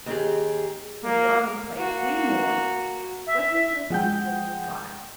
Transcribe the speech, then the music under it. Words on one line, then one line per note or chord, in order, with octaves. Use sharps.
So the Army played three more, and, sweating profusely, got out.
D#2 G4 G#4
A#3
A#3 F#4
E5
F3 G#3 F#5 G5 G6